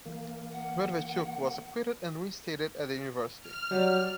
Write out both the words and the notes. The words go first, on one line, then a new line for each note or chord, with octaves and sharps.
Medvedchuk was acquitted and reinstated at the university.
E3 A#3
F#5
F6
F#3 G3